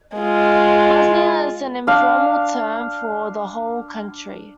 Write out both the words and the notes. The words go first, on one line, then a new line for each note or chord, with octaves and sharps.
"Bosnia" is an informal term for the whole country.
G#3 F4
D4 F5